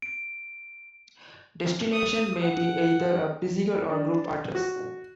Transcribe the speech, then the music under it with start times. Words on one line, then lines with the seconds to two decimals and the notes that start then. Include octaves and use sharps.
Destination may be either a physical or group address.
0.02 D7
1.92 D#6
2.43 F#5
3.89 D4
4.55 F#4